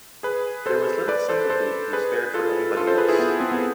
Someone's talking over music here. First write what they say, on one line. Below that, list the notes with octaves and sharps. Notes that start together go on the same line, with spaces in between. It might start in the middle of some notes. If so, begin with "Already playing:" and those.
There was little sympathy to be spared for anybody else.
G#4 B4
A4 C5
B4 D5
A4 C5
A4 C5
G#4 B4
F4 A4
F4 A4
A4 C5
G#4 B4
E4 G#4
B3
B3
C4
B3